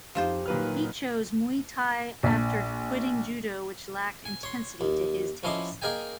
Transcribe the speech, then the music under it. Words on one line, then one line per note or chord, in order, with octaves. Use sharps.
He chose Muay Thai after quitting Judo which lacked intensity to his taste.
F2 F3 D#4 F4 G4 C5
A#2 D#3 F#3 B4 F6
A#1
G#5
C#5 C6
D#2
F3 C#4 E4 D#5 C6 D6
A#3 G#4 A#4 D#5 G5 G#5